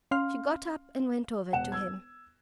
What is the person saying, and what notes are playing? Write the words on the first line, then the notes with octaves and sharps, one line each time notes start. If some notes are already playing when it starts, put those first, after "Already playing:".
She got up and went over to him.
C#4 F5 C6 F6
E1 F#5 E7
E6 G#6